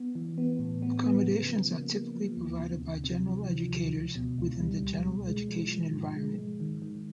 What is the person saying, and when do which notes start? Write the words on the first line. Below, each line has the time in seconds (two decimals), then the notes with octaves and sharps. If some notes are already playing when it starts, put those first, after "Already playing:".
Accommodations are typically provided by general educators within the general education environment.
Already playing: B3
0.15 E3
0.38 B3
0.59 A2
0.82 B3
1.04 B3
1.26 C#3
1.49 F3
1.71 A#3
1.93 A#3
2.16 F3
2.37 D2
2.60 C3
2.82 D2
3.04 C3
3.27 F3
3.49 F3
3.71 D2
3.93 C#2
4.16 B2
4.38 C#2
4.60 G3
4.82 C#2
5.05 B2
5.27 G#3
5.49 F3
5.72 F3
5.93 G#2
6.16 G#3
6.38 G#3
6.60 D#3
6.82 D#3